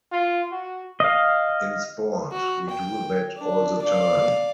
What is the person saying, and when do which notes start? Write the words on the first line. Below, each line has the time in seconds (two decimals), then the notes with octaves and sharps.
In sport, we do that all the time.
0.12 F4
0.52 F#4
1.00 D#5 F5
2.32 F#4
2.69 G5
3.38 D4
3.82 D5 F5